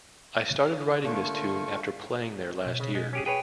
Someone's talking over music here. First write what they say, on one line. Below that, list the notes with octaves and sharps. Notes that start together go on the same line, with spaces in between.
I started writing this tune after playing there last year.
D3 A3 A#3 F4 C#6
B2
C#3
G#3
C#4 G4 G#4
G#4 B4 C#5 G5